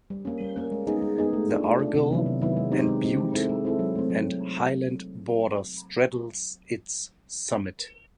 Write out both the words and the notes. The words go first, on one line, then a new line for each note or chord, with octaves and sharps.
The Argyll and Bute and Highland border straddles its summit.
G3
A#3 C#4
G3
A#3 C#4
G#3
B3 D#4 G#4
G#3
B3 D#4 G#4
A3
D4 F4
A3
D4 F4
C3
D#3 F#3 B3 E4
C3
D#3 F#3 B3 E4
G#3
C4 D#4 G4
G#3
C4 D#4 G4
G#3
C4 E4 A4
G#3
C4 E4 A4
F#3
A3 C4
F#3